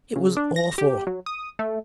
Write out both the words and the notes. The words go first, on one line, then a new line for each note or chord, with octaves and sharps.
It was awful.
C#3
D4
A#6
G4
F#3
D#6
A3